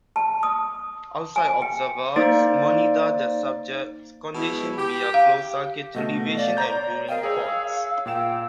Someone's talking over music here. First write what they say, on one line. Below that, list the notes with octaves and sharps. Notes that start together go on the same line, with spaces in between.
Outside observers monitor the subjects' condition via closed circuit television and viewing ports.
A5
D#6
G#5
G5
A#3 D#4 C5 D5 D7
B2 G#3 E4
G4
F5
B2 A3 D#5 F#5
D5 F5
C5 C#5 A#5 G6
A#4 C5 D#5 F5 G5
G#4 C#5 E6
A#2 F5 G5 E7